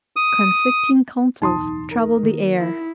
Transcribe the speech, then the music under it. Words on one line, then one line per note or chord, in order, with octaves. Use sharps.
Conflicting counsels troubled the air.
D#6
D1 B1 E2 D#4 A5 C6 D#6
A#4
D#3 A#3
E4